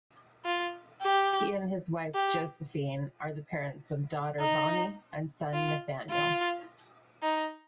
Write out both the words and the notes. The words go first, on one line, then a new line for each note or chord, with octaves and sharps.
He and his wife, Josephine, are the parents of daughter, Bonnie and son, Nathanael.
F4
G4
G4
D#4
F4
F4
D#4